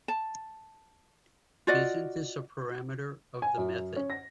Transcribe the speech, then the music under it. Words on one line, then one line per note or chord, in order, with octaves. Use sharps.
Isn’t this a parameter of the method?
A5
F4 F#4 D5 D#5
G#5
F#2
C#4
A#6